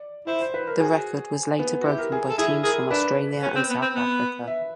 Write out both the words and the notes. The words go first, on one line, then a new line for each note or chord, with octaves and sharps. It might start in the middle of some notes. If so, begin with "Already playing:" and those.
The record was later broken by teams from Australia and South Africa.
Already playing: D5
E4 C5
C5
B4
A#4
F#4 G#4
B3
F#4
E4 G4
A#4
G#4
A4
E4 G#4
G#4 A#4
D4 B4
C#4
C4
B3
C4
B3
E5